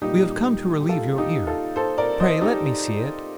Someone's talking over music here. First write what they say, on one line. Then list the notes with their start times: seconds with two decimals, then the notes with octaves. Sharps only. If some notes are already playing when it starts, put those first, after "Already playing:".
We have come to relieve your ear. Pray let me see it.
0.01 A#2 G3 A#3 D#4 G4
0.81 G4
0.89 F4 A4
1.18 D#4 G4
1.47 F4 A4
1.76 A4 C5
1.98 A#4 D5
2.20 C5 D#5
2.41 D#4 G4